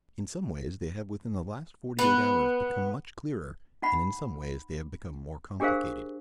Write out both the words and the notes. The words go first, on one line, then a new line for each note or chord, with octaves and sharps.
In some ways they have within the last forty-eight hours become much clearer and in some ways they have become more complicated.
B3
D#4 F#5 B5
D4 G4 G#4 A#4 C5 F5